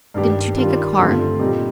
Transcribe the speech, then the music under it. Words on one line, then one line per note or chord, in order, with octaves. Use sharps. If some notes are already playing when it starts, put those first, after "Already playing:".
"Didn't you take a car?"
G2 D#3 G3 D4 G4
D#3 G3 D4 F4
G2 D3 A3 C4 F4
A#2 G3 C4 D#4 G4